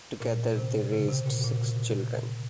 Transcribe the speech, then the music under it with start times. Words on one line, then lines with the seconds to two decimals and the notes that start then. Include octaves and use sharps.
Together they raised six children.
0.20 A#2
0.56 C3
0.92 C#3
1.09 C3
1.26 A#2
1.44 A#2